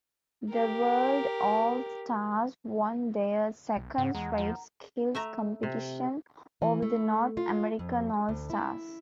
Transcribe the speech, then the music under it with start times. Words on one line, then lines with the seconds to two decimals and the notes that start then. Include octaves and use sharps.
The "World All-Stars" won their second-straight skills competition over the "North American All-Stars".
0.49 G4 A#4
3.76 B1
3.98 G#2 C#3 F#5
4.15 E2 G#3 F#5 A#5
4.38 F3 A#5
5.15 A3 E5 A#5
5.63 C3
6.62 E3
6.82 A3
7.37 F4
7.79 F2
8.29 D2
8.50 E4